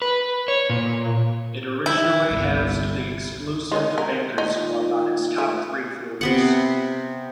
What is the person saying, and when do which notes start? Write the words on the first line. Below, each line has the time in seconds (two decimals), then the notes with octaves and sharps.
It originally housed the exclusive Bankers Club on its top three floors.
0.02 B4
0.48 C#5
0.70 A#2
1.86 D#3 E4
2.27 G1 C2
3.72 G#3 C#4 D#5
3.98 A#4
4.38 A#2 D#3 D#4
5.38 A3 E4 B4 F#5
6.21 C3 B3 F#5